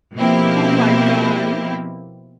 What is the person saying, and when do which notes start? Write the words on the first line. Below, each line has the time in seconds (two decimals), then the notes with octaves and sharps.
Oh my god.
0.17 B2 F3 A#3 C4 E4 G4